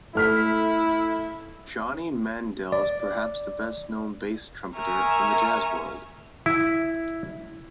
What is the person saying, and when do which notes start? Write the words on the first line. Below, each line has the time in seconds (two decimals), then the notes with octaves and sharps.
Johnny Mandel is perhaps the best-known bass trumpeter from the jazz world.
0.15 A3 E4 F6 B6
2.72 D5
4.76 A#4 E5 G#5 A#5 C#6 F6
6.46 E4